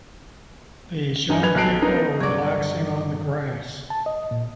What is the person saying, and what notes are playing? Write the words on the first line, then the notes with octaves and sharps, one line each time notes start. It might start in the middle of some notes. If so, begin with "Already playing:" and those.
These young people are relaxing on the grass.
G1 D#4 G#5
B4 G#6 F7
B1 F#3 A5 F#6 C7 D7
B3 D#4 A#4
G2 D3 F#3 D5
A5
D#5
A#2